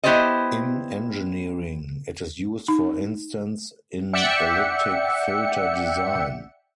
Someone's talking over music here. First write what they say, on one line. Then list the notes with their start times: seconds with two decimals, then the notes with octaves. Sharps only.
In engineering, it is used for instance in elliptic filter design.
0.04 B3 E4 G4 C5 D5 D#5
2.68 D#4
4.13 D5 E5 F#5 G5 C#7